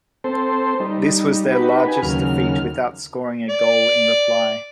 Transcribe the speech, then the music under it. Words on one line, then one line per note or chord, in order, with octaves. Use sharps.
This was their largest defeat without scoring a goal in reply.
C4 A4 C5
G3 D#4
D#4 F#4 G4 B4
B4 G#5
D#2 C#3 F#3 F6
D5